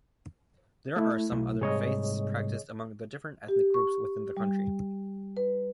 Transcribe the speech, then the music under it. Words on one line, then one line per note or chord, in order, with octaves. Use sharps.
There are some other faiths practiced among the different ethnic groups within the country.
A3 E4
B1
G#2 C3 G3 G#4 C#5 D#5
G4
C#6
G3
B4